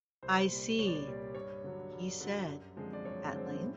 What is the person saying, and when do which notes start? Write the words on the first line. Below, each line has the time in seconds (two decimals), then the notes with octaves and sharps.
"I see," he said, at length.
0.22 C2 C5
0.50 A#2 G3
0.79 C2 C#5
0.87 D5
0.95 C#5
1.07 A#2 G3
1.34 G2 C#5
1.64 D3 F#3
1.92 G2
2.20 D3 F#3
2.48 F#2
2.76 D3 F3 G#3 C4
2.93 D5
3.05 F#2 C#5
3.32 D3 F3 G#3 C4
3.61 A2